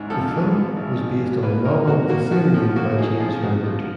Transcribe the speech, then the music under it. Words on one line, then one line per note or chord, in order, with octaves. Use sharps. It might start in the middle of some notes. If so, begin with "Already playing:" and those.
The film was based on the novel of the same name by James Herbert.
Already playing: A1 G#2
F3 A4
G#2
F3
A1
F3
G#2
A#3 B4
D#4 A#4
A#3 F#4
A#3 F#4
F3 F#4
F3
A#3 F#4
D#4 G#4
F3 G#4
D#4 F#4
F3